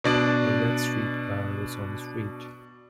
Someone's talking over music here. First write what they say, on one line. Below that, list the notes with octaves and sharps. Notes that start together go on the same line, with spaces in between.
A red streetcar is on the street.
B2 D4 D5